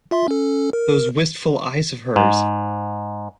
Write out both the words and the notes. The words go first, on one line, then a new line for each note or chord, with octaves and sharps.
Those wistful eyes of hers!
F4 E5 C6
C#4 A4
A#4
G#2